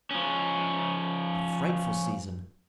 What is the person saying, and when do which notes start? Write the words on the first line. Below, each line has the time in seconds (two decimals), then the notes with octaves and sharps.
A frightful season!
0.11 F3 C#4